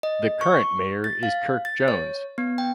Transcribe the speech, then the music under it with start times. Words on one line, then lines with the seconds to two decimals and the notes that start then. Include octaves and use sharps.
The current mayor is Kirk Jones.
0.03 D#5
0.41 C#6
1.04 A6
1.23 F5
1.65 A6
1.88 C#5
2.38 B3
2.58 G5